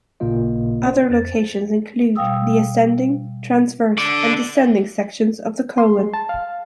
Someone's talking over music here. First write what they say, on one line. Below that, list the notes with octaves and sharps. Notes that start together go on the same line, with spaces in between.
Other locations include the ascending, transverse, and descending sections of the colon.
A1 A#2 C#3 A#3 F4 D#5
C#4 C5 D5
F2 A6
B2 G3 F5 G5 D#6 E6
D3 D5
C6
G#3
A5
F5